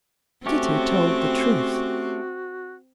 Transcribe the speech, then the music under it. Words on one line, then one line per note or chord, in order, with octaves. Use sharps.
Kitty told the truth.
A3 C4 C#4 F#4 G4